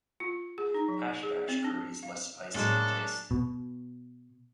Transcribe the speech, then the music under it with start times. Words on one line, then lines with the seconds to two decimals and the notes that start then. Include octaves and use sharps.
Hash Bash curry is less spicy in taste.
0.20 F4
0.58 G#4
0.74 D#4
0.88 F#3
1.23 G#4
1.49 C4
1.64 D4
2.03 F5
2.55 A2 F#3 G#3 A#3 D4 A4
3.31 B2